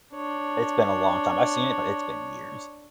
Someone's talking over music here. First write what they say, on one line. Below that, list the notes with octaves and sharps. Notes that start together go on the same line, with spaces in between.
It's been a long time. I've seen it, but it's been years.
D4 C#5